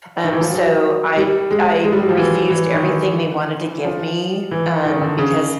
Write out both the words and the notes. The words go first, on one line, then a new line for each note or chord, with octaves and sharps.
um, so I I refused everything they wanted to give me, um, because
D#3
E3
F3
F#3
G3
G#3
G#3
G3
F#3
F3
E3
E3
D#3
E3
F3
E3
D#3
D3
C#3